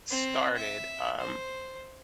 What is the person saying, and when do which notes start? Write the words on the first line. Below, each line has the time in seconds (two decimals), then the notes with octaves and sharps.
started, um,
0.11 C4
0.57 E5
1.20 C5